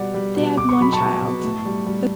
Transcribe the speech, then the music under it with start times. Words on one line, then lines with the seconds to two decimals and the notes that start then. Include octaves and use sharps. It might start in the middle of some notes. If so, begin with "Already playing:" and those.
They had one child.
Already playing: B2 G3 D5 F#5
0.14 G3
0.36 B2
0.57 B2 D6
0.69 C#6
0.80 F#3 B5
0.92 A5 C#6
1.00 B2
1.22 B2
1.44 A2
1.65 G3
1.87 G3